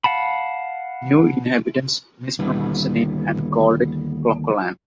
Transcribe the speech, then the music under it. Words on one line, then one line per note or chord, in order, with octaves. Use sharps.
New inhabitants mispronounced the name and called it Clocolan.
F5 F#5 A5 B5
D#2 D3 G3 B3 E4 B4